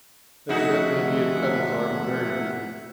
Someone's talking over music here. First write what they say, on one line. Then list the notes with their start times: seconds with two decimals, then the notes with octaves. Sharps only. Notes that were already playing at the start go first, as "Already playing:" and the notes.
Evidently he had cut his arm very deep.
0.49 F1 D2 F3 D#4 F#4 G#4 E5 F#5